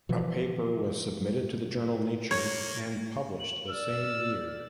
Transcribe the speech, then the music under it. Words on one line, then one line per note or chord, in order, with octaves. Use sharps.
A paper was submitted to the journal "Nature" and published the same year.
B2 E3 F3
A#3 C#5
F#7
D5 E6 F6